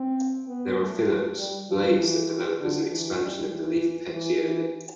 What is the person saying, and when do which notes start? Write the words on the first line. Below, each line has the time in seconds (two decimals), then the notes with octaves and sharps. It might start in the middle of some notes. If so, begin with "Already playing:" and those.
These are phyllodes, blades that develop as an expansion of the leaf petiole.
Already playing: C4
0.48 B3
0.78 A3
1.38 G3
1.70 F3
1.99 E3
2.60 D3
2.91 E3
3.21 G3
3.52 E3
4.12 E3
4.43 E3